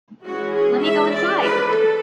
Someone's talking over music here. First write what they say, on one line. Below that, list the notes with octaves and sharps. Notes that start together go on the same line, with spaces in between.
Lemme go inside!
E3 G#3 C#4 F#4
G#4
E5
D5
B4
A4